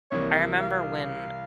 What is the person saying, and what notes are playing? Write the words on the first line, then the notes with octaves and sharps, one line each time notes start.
I remember when
C2 C3 E3 A#3 C#5
E5
F5